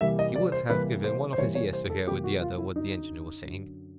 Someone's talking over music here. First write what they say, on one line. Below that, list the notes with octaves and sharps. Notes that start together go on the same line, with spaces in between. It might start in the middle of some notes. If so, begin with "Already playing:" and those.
He would have given one of his ears to hear with the other what the engineer was saying.
C3 E3 G3 A#3 E5
D#5
D5
C5
C3 E3 G3 A#3 B4
C5
C5
C3 E3 G3 A#3 C#5
C#5
C5
A4
C3 E3 G3 A#3 G4
F#4
F4
E4
F#2 D3 F#3 D#4
F#2 D3 F#3